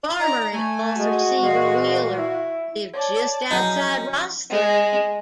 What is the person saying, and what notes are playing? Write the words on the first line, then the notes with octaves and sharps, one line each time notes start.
Farmer and author Seager Wheeler lived just outside Rosthern.
D#4 D5 D#5 A#5
A3 G#5
G#3 F#4
A#2 E3 G#3 F5
E4
C#5 D5 A5
F3 F#3 C#4 D#4 E4 G#4 G6
G#3